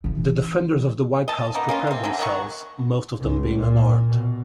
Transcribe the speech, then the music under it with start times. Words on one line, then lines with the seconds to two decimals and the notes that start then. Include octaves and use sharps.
The defenders of the White House prepared themselves, most of them being unarmed.
0.04 C#3 E3
1.28 D#5 A5
1.54 A#3 B3 D#4
1.69 A#3 C#4 F4
1.87 C3 C4
2.04 D3 E3 F#3
2.19 D#3 F#4 G4 C#6
3.20 C#2
3.56 A#2
4.08 B2